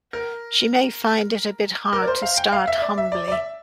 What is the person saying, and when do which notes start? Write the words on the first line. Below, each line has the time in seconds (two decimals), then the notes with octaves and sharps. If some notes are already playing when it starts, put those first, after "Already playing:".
She may find it a bit hard to start humbly.
0.13 A#4
1.93 A#4
2.02 D5
2.07 C5
2.22 F5
2.37 G5
2.52 F5
2.67 E5
2.78 E5
2.82 D5
2.98 E5
3.12 D5
3.28 D5
3.32 E5